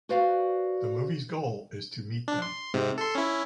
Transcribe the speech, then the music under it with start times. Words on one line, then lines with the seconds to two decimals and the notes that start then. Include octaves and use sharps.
The movie’s goal is to meet them.
0.09 F#4 B4 C5 D5 F5
2.28 D4
2.42 C6
2.74 G#2 C3
2.98 A4 C6
3.15 C#4 E4